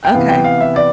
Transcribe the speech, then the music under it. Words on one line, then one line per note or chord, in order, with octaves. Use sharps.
Okay, okay.
G5
C3 E3 B3 F5
G5
F5
E5
D5